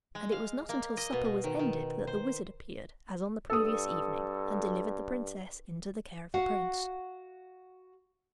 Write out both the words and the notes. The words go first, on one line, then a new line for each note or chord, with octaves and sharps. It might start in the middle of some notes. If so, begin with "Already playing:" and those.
And it was not until supper was ended that the wizard appeared, as on the previous evening, and delivered the princess into the care of the prince.
G#3
F5
A#3
D#5
B2
B2
D#3
D#3
C5
G2 A4 D#6
F#4 F5 F#5